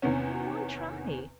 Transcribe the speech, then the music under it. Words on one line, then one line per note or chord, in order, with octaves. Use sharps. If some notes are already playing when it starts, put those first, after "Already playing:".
Then why try?
E2 C3 D#3 B3 C#4